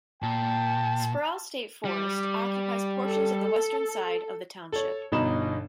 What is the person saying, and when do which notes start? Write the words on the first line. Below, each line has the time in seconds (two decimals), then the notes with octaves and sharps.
Sproul State Forest occupies portions of the western side of the township.
0.22 A#2 G5 A5
1.85 G3
3.07 A4
4.72 A4 C#5
5.12 G1 B2 D#4 B5 E7